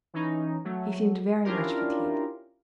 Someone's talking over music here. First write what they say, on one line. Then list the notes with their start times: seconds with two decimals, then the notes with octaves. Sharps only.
He seemed very much fatigued.
0.14 E3 C#4 D#4
0.65 F#3 A3
1.45 C#4 D4 E4 F4 G4 A#4